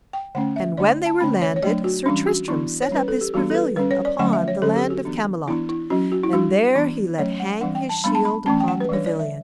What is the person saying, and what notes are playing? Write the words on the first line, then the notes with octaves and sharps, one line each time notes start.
And when they were landed Sir Tristram set up his pavilion upon the land of Camelot, and there he let hang his shield upon the pavilion.
G5
D3 A3 C#4 F#5
E5
D3 A3 D4 D5
A5
D3 A3 C#4 B5
C#5
C#5
F#3 A3 D4 D5
F#4
E3 G3 C#4 D4
F#4
E3 B3 D4 E4
C#5
G3 C#4 B4
A4
G4
E3 G3 B3 D4 F#4
A4
B4
G3 C#4 B4
C#5
D5
D3 F#3 A3 C#4 F#5
E5
C#5
D3 F#3 C#4 A4
G4
F#4
E3 B3 D4
E3 B3 D4 E4
E4
F#3 C#4 F#4
F#4
E4
G3 D4 F#4
E3 B3 D4
F#3 A3 C#4 C#5
F#5
E3 G3 D4 F#5
G5
A5
G3 B3 D4 B5
A5
B5
E3 A3 C#4 A5
G5
F#5
B4
E3 G3 D4 C#5
D5
E5